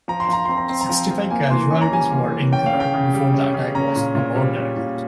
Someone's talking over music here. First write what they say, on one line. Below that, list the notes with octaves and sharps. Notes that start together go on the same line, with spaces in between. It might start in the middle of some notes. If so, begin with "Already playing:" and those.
Sixty-five casualties were incurred before the attack was aborted.
F3 A#5
C6
F3 A#5
C4 C6
A#5
C4 C6
A#5
F3
F3
A#3 G#5
E3 C6
C#4 G#5
A#5
G3 G#5
A#3
E3
C#4 G5
F5
C#3
G5
C#3
G3
C#4
C#3
C#4 A#5
A#2
A#2
G3
C#4
A#2